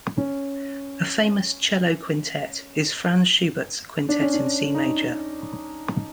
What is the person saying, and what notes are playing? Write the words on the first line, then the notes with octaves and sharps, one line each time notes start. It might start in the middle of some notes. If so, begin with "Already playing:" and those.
A famous "cello quintet" is Franz Schubert's Quintet in C major.
C#4
D4
C#4
D4
D#4